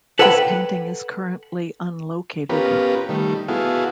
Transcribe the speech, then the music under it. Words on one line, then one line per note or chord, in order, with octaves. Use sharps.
This painting is currently unlocated.
A4 B4 C#5 F#5 G5 B5
B3 C#4 F4 G4 A#4 B4
D#3 G3 A3
B3 E4 F#4 G#4 A4 F5